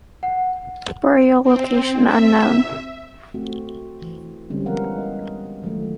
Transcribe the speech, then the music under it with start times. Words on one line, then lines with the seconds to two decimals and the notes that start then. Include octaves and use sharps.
Burial location unknown.
0.23 F#5
1.43 C4
2.05 E5
3.34 A3 C4 F#4
4.02 E3
4.50 D3 G3 G#3 C4 C#4
4.66 E3 F3 B3 A#4 F5 F#5
4.98 D#5
5.62 D#3 F3 F#3 G#3 A3